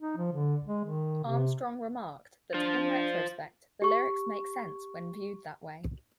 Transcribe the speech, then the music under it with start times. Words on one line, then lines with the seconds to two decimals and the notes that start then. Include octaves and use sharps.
Armstrong remarked that, in retrospect, the lyrics make sense when viewed that way.
0.01 D#4
0.17 F3
0.32 D3
0.67 G#3
0.85 D#3
1.25 C3
2.54 D4 F4 C5
3.82 G4 C#6